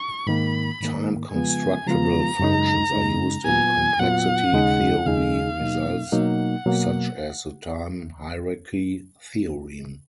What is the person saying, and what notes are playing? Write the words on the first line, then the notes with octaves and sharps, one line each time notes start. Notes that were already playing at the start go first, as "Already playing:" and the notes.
Time-constructible functions are used in complexity theory results such as the time hierarchy theorem.
Already playing: C#6
G#2 D#3 A#3 B5
G#2 D#3 A#3
C#3 F3 G#3 B3 F4 G#5
C#3 F3 G#3 B3 F4 A#5
F#2 C#3 G#3 D#4
F#2 C#3 G#3 D#4
A#2 F#3 B3 F4 G#5
A#2 F#3 B3 F4 F#5
D#2 C#3 G#3 D#4 G#4
D#2 C#3 G#3 D#4 G#4 F5
B2 F#3 A#3 D#4
B2 F#3 A#3 D#4 F#5
B2 F#3 A#3